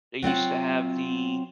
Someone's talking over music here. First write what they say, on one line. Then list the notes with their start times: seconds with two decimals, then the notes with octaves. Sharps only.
they used to have the,
0.22 F#3 C4 F4 F#5